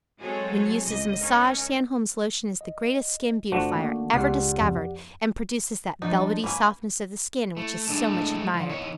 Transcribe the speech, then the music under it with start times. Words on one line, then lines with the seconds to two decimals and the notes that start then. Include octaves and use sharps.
When used as a massage, Sandholm's Lotion is the greatest skin beautifier ever discovered, and produces that velvety softness of the skin which is so much admired.
0.19 F#3 G#3 C4 G#4 A4 C#5
0.85 C#2 D#5
1.18 C#4 D#4 A#4
2.61 D#5
3.52 G1 A3 D4 F4 F#4 C5
3.75 D#3 A#3
4.13 C#2 G4 D5 F#5 C7
4.61 F2
6.02 F3 D4 D#4
6.44 A#3 C#4 B4
7.57 A3 E4
7.89 G#3 A3 D4 E4
8.54 E3 F3 G3
8.69 D#3 E3 D#4 C#5